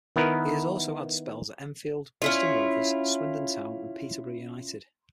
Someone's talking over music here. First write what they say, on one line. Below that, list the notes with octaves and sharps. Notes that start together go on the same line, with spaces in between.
He has also had spells at Enfield, Bristol Rovers, Swindon Town and Peterborough United.
D#3 B3 E4 A#4 B4
C#4 E4 F4